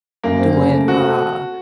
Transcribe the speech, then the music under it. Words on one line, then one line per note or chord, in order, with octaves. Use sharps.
doing, uh
F#2 A#3
C4
C#3
A3
C4 F#4
A4